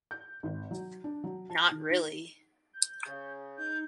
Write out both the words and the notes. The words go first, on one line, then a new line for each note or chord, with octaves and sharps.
Not really.
G6
G#1
F#3
D4
F#3
A5
D#3
D#4
G6
C#3
D#4 G6